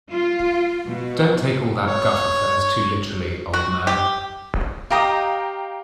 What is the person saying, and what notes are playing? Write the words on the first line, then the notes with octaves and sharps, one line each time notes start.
Don't take all that guff of hers too literally, old man.
F4
B2
C#5
F#4
G4
G4 D#5 F5 G5 A#5 D#6